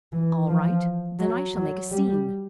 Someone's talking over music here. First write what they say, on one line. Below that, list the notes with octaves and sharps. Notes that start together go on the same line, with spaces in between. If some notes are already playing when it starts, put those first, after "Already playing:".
"All right; then I shall make a scene."
E3
F3
F#3
F#3
G3